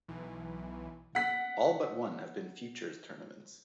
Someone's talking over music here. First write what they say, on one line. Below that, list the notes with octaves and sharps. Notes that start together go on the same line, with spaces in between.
All but one have been Futures tournaments.
B1 E3
F#5 B6